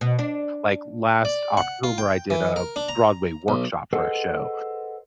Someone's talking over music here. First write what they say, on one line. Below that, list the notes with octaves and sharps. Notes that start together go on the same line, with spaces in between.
Like, last October I did a Broadway workshop for a show,
B2
D4
D5
F#5
F4
G5
E3
A#4
D4
A#5
B1
G#4 A4 B4 C5 D#5 F#5